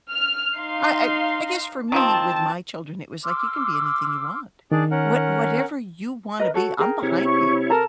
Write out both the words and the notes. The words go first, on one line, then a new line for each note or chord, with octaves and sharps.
I I I guess for me, with my children, it was like you can be anything you want. What whatever you wanna be, I'm behind you.
F6
D#4 F5 C6
D#3 F3 C4 A5
C6 D6 E6 F6
D#3 D4 G#4 D5
C#4 A#4 F#5
A#4 B4 D#5
F#4 A4 C#5
G#4 A#4 G5
C3 E4 C#5
C#6
A4 A#4 A5 A#5